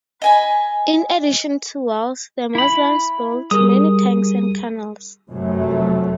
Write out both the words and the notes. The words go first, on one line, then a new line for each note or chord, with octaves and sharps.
In addition to wells, the Muslims built many tanks and canals.
D#5 G#5 B5
E4 B5
G3 G#4 A#4 D#6
F1 F#2 F#3 A3